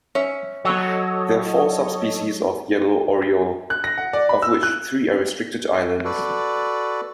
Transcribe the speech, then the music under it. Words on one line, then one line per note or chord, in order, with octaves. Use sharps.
There are four subspecies of yellow oriole, of which three are restricted to islands.
C#4 E5
F#3 A4 C#5 D#5
F#6
A#6
F#5
D5
B5
E6
F#6
F#4 A4 B4 D5